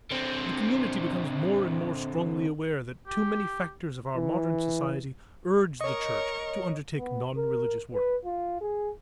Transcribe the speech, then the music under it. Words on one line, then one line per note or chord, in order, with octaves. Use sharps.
The community becomes more and more strongly aware that too many factors of our modern society urge the church to undertake non-religious work.
D3 C4
G4
E3
A#4 C#5 D#5 C#6
B3
A#4
B4
F4
G#4